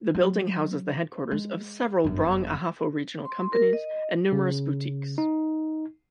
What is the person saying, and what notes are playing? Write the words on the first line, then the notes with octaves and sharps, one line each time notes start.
The building houses the headquarters of several Brong-Ahafo regional companies, and numerous boutiques.
F#3
G#3
G1 F#2
C6
A#4
D#5
C#3
D#4